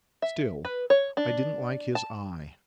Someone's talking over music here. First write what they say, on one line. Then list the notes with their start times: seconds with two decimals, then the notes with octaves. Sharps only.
Still, I didn't like his eye.'
0.22 E5
0.65 B4
0.90 C#5
1.17 D4
1.95 A5